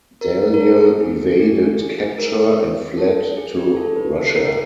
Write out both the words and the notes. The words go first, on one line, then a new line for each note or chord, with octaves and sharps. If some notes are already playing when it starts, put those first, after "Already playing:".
Dalyell evaded capture and fled to Russia.
A#4
A#4
A4
G#4
G4
G#4
G#4
G#4
A#4
A4
G#4
G4
A4
B4
A4
A#4